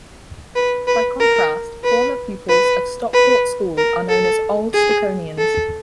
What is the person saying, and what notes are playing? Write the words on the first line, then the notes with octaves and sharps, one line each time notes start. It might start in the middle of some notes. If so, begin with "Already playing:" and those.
By contrast, former pupils of Stockport School are known as Old Stoconians.
B4
B4
A#4
B4
B4
B4
A#4
A4
G#4
A4